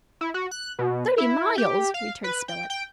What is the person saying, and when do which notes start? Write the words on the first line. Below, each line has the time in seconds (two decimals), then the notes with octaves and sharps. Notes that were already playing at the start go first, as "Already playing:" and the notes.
"Thirty miles!" returned Spilett.
0.21 E4
0.34 F#4
0.51 F#6
0.79 B2
1.18 E4
1.58 G4
1.94 F5
2.24 B4
2.48 G5
2.70 G5